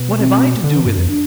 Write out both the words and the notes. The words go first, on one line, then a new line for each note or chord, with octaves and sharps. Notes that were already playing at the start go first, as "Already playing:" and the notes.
"What have I to do with it?"
Already playing: B2
C4
D3
E3
G2
F2
D4